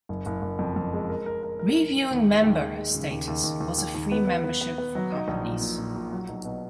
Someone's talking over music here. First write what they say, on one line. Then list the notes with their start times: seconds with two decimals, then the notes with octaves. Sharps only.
"Reviewing member" status was a free membership for companies.
0.09 F#1
0.26 F#1
0.42 F#1
0.59 F2
0.76 F2
0.93 G#3
1.10 A#4
1.26 A#4
1.43 A#4
1.59 A#4
1.77 A#4
1.94 A#4
2.11 D#2
2.27 G#3
2.44 D#2
2.61 G#3
2.77 G#3
2.94 C#3
3.11 D#2
3.28 D#2
3.44 D#2
3.60 D#2
3.78 D#2
3.95 D#2
4.12 B3
4.27 B3
4.44 B3
4.61 B3
4.78 B3
4.95 F#3
5.12 D#4
5.28 A#1
5.45 A#2
5.61 A#2
5.78 A#2
5.96 A#2
6.12 F#3
6.29 B1
6.45 B2